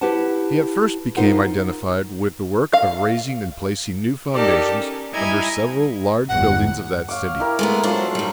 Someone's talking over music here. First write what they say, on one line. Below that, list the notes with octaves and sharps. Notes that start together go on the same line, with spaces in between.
He at first became identified with the work of raising and placing new foundations under several large buildings of that city.
E4 G4 B4 C5 F#5 A5
D#4 F4 A#4 C5 F5 F#5
F5
D#4 G4 A4 A#4 D5 A5
C#4
G3 E4 D#5 G#5 A#5 G#6
G1 E2 F#5
C#5 F5 D6
E4 G4 A#4
G#3 A3 B3
F#3 D4 F4 A4 C5
G2 G3